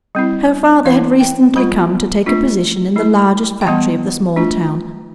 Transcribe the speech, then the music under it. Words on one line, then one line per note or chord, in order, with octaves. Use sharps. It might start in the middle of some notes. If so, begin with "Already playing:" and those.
Her father had recently come to take a position in the largest factory of the small town.
G3 C4 E4
E3 B3 E4 F5
G5
G3 B3 F4 B5
A3 D4 F4
A3 E4
G5
E3 G3 B3 A5
A3 D4 F4